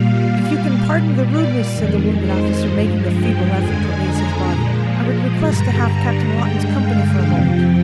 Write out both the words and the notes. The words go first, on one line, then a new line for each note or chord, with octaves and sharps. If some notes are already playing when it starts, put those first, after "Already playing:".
"If you can pardon the rudeness," said the wounded officer, making a feeble effort to raise his body, "I would request to have Captain Lawton's company for a moment."
Already playing: A#2 G3 F5
A#2 G3
D5
F2 D#3 G#3
C5
G2 F3 G#3
G5
F2 D3 G#3 G#5
A#5
A#2 F3 G#3
G2 D3 G3 A#5
A#5
G2 D3 G#3 G5
F5
F2 C3 F3 G5